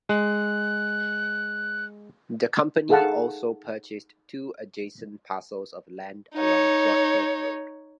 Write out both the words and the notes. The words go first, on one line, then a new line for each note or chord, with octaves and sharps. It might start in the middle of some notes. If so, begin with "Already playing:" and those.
The company also purchased two adjacent parcels of land along Brodhead Road.
G#3 F#6
D#4 G#4 A4 F5 F#5 A5
D#4 C#5